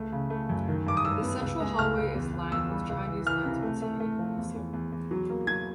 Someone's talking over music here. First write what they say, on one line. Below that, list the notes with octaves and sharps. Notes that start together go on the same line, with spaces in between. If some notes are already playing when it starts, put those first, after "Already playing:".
The central hallway is lined with Chinese lanterns hanging from the ceiling.
Already playing: C#2 A3
C#3
A3
F#2
D#3
G2 D6
D#6
G2 E6
B3
C#2
G#3
C#2 F6
C#2
E2
E2
E2 E6
G3
C#2
E3
E3 F6
C3
A3
A3
A3
F3
E2
E2
E2
E2
F#3
A#3
F#3 G#6